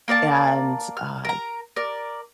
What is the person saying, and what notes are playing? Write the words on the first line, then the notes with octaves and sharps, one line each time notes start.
and, uh
A#3 A#4 D5 A5
F6
A#4 A#5
A#4 D5